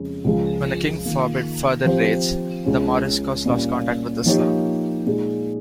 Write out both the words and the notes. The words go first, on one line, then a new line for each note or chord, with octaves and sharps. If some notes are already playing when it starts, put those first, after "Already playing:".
When the king forbid further raids, the Moriscos lost contact with Islam.
Already playing: F2 C#3 G#3
C#2 C#3 F3 G#3
D#3 A#3 F4
F3 C4 G4 C5
C#2 C#3 G#3 C#4
A#2 G3 A#3 C#4
F3 A#3 D#4 G4 C#5
A#2 G#3 D#4 G#4